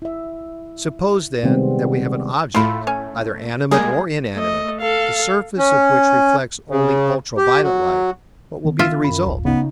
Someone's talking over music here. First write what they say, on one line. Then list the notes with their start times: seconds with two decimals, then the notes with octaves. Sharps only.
Suppose then, that we have an object, either animate or inanimate, the surface of which reflects only ultra-violet light, what will be the result?
0.02 E4 E5
1.43 C3 D#3 G3 G#3 B3 C4
2.54 A2 A3 E4 F4
2.87 C#4
3.71 G3 G#3 A#3 G#4
4.35 A3 D#5
4.81 A4 F5
5.58 C#4
6.70 C#3
7.37 G4
7.62 F#3
8.65 D#3 E3 B3
8.79 F4 E5
9.04 F#2 B5
9.26 D1 G1
9.45 C#3 B3 D#4